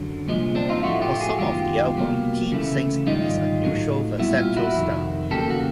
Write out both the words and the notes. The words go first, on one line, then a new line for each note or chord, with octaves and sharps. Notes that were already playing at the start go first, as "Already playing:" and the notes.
For some of the album, Tim sings in his unusual falsetto style.
Already playing: F#2 D3 F#3
C2 A#2 F3 G#3
C4 D4
D#4 F4
A2 F3 A3 E4 F#4
F4 G4
F#4 G#4
F#2 D#3 G#3 B3 F4 G4
C2 B2 F#3 A#3
D2 C#3 E3 A3
G#2 D#3 G3 D#4 F4
A2 F#3 A3
A#2 G3 B3 E4 F#4
F4 G4
E4 F#4
F2 C3 D#3
E2 C#3 F#3 A#3 G4 A4
F#4